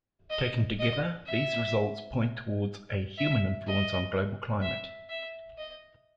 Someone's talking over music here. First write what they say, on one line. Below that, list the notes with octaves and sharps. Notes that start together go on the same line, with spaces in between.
Taken together, these results point towards a human influence on global climate.
D#5
D#5
E5
E5
D#5
E5
E5
D#5